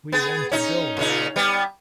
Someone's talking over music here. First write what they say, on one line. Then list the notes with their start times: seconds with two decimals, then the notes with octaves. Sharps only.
We want a dome!
0.12 B3 G#4
0.52 C#4 D#4
0.97 A#2 C#3 D#4
1.36 G3 B3